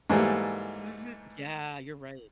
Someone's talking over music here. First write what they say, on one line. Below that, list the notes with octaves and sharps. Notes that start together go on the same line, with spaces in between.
Mhm, yeah, you're right.
G#2 E3 G3 A3 A#3